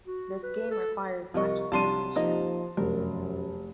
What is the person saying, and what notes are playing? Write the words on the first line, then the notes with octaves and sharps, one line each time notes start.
This game requires much coordination.
F#4
B4
A4
C2 F3 A#4 D#5 C#6
C2 F3 D4 A5 C6 D#7
F3 A#3 D#4 D#5
F1 F#2 A#4